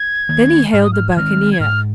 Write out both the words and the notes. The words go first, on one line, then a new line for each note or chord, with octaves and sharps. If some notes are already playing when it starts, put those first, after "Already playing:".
Then he hailed the buccaneer.
Already playing: G#6
D#3 A#3
G#2 F6
D#6
F6
G#6
D#3 G#3 C4 F6
G#6
G#2 F6